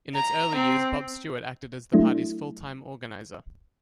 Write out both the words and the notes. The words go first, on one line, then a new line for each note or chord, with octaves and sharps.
In its early years, Bob Stewart acted as the party's full-time organiser.
A#5
C4
F#3 A3 D4 E4